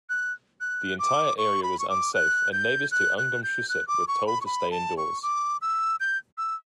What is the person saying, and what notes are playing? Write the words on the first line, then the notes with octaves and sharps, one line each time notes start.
The entire area was unsafe and neighbors to Ungdomshuset were told to stay indoors.
F#6
F#6
D6
C#6
B5
C#6
D6
F#6
G6
F#6
F#6
G6
F#6
D6
C#6
B5
C#6
B5
A5
C#6
D6
E6
G6
E6